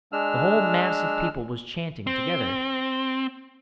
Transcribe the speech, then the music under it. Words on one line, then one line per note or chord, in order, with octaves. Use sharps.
The whole mass of people was chanting together.
G#3 D4 E6 F6
C4